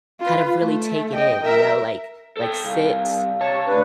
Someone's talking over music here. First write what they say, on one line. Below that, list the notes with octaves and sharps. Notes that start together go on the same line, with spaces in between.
kind of really take it in, you know, like like sit,
F4 B4
A3
D#5 G5
A#4 E5
A4 G5
C2 F5
C3 C#5 A5 C#6
D2 D4 B4